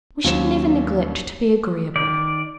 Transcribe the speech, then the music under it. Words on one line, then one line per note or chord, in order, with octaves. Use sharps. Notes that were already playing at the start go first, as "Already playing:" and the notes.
We should never neglect to be agreeable.
D#2 F#3 C#4 C5 E7
D#3 D5